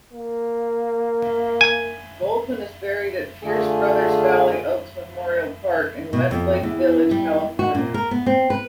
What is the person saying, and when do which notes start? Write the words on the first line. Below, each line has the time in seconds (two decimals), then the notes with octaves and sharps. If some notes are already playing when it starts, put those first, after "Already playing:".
Goldman is buried at Pierce Brothers Valley Oaks Memorial Park in Westlake Village, California.
0.13 A#3
1.61 G#5
3.44 D3 A3 F4 G#4
6.13 B2
6.31 F2
6.63 E2
7.11 G3
7.59 F#4
7.75 A#2
7.94 A#4
8.11 B3
8.26 C4
8.50 B4